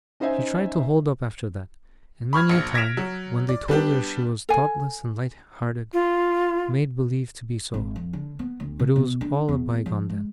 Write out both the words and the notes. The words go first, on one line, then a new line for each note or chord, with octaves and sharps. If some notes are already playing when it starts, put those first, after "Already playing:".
'She tried to hold up after that; and many a time, when they told her she was thoughtless and light-hearted, made believe to be so; but it was all a bygone then.
C#4 D#4 C5 D#5 E5 G#5
B5 C#6 F6 G#6
A#1 C#7
G#6 A#6 B6 D7 E7 F7
F#3
D5
G3 B3 D4 G4
A4 G#5
F4
G#1
F2
D3
B3
D2
C3
B2
D4
E2
F3
G#3